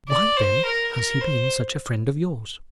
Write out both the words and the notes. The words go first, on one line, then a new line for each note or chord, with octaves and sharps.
"Why, then, has he been such a friend of yours?"
D5
C5
A#4
A#4
C5